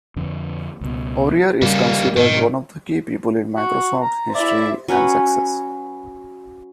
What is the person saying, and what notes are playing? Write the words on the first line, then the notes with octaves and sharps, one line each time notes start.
O'Rear is considered one of the key people in Microsoft's history and success.
F2 D3
C#2 B2
G2 C#3 F#3 G3 A#3
G#2 B2 D#3
F#4
A#5
E4 D5 E5
F#3 C#4 B4 F#5